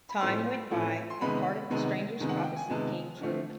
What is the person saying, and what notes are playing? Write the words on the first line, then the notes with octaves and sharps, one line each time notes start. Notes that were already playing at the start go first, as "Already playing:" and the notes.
Time went by and part of the stranger's prophecy came true.
B5
A2 F3 A3 C4 C6
A2 F3 A3 C4
C6
C3 D#3 G#3 B3 B5
C3 D#3 G#3 B3
C3 D#3 G#3 B3
F#5
G5
G#5
C3 D#3 G#3 B3 A5
D3 F3 A3 C4